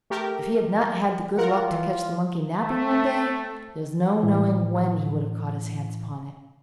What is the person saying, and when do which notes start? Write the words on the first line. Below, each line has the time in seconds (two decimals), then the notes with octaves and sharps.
If he had not had the good luck to catch the monkey napping one day there is no knowing when he would have got his hands upon him.
0.10 A3 G4 A#4
1.37 F4 A#4 F#5
1.71 E3
2.61 A3
4.23 A2 E3